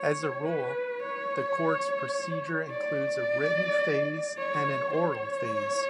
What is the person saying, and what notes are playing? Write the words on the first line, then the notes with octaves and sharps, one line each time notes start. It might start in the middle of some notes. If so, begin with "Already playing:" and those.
As a rule, the Court's procedure includes a written phase and an oral phase.
Already playing: C#5
B4
C#5
D5
C#5
C#5